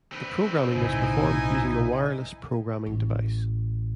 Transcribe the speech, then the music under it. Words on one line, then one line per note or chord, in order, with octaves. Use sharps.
The programming is performed using a wireless programming device.
C4 B4
B1 A2 C#3 D#4 E4 G#5
A1